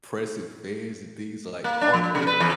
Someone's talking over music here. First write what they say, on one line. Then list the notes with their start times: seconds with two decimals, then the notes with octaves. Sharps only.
pressing fans and things, like, I don't know, it's just
1.64 A#3
1.81 D4
1.94 F3
2.15 C#3
2.27 B4
2.40 E2